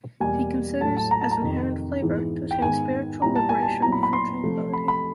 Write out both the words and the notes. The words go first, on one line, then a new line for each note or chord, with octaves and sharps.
He considers as inherent flavor to attain spiritual liberation through tranquility.
E2 B2 G3 A#3 G#5
A2 F#3 A3 A5
A5
A#5
A5
A#5
F2 C3 D#3
G#2 E3 G#3 B3 E4
G5
G#2 D#3 G#3 B3 D#4 G#5
A#2 G3 B3 E4 A#5
A5
G#5
A5
A#2 F#3 B3 E4 A#5
B5
B5
C6
C3 F3 A3
B5
B5